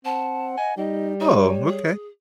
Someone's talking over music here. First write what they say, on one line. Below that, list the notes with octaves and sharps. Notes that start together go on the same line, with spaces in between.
Oh, okay.
C4 F#5 A5
D#5 G#5
G3 D#4 D#5
F#4 C#5
G#4